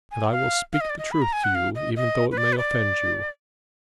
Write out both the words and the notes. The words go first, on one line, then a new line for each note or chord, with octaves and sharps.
And I will speak the truth to you, even though it may offend you.
G#5
F5
F5
D#5
D5
D#5
B5
A#5
G#5
F#5
F5
D#5
D#5
B4
D5
B4
D5